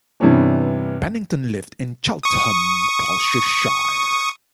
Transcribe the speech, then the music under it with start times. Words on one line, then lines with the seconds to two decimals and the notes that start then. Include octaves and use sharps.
Pennington lived in Cheltenham, Gloucestershire.
0.20 G2 C3 E3 B3 C#4 D4
2.23 C#6 D#6